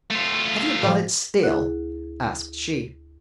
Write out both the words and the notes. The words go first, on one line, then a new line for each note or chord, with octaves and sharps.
'Have you got it still?' asked she.
A3 F4
A2 F3
D2 E4 G#4 F#5 F#6